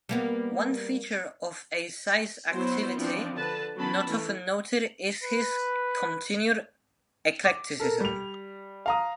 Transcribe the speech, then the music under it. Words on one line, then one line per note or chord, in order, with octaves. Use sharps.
One feature of Eisai's activity not often noted is his continued eclecticism.
G3 A#3 B3
F#3 B3 E4 C5
E3 F3 C4 D4
D3 B4 A5
F#3 B3 C#4 A5 B5
E3 A3
B4
D6
A4 A#4
G3 F7
F5 A#5 D#6